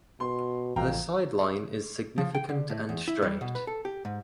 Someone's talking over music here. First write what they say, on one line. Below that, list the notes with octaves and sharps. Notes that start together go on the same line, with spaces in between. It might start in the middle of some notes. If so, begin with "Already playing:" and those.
The sideline is significant and straight.
B2 C6
A1 F2 F5 G5 A#5
F3
G5
D3
A2
E2
E4
G3
B2
B4
A4
G4
G#2